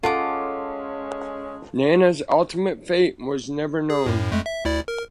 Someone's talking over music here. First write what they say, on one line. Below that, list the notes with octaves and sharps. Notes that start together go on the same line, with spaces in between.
Nana's ultimate fate was never known.
G#3 C#4 F4 A4 F#5 D6
G#4
F#2 A2
F2 G#3 A3
E5
D2 E4 D5
A#4